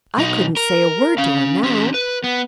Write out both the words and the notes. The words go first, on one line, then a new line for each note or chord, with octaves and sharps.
"I couldn't say a word to her now."
B1 D#4
A#4
C#4 F5
C#4 G4
B4
B3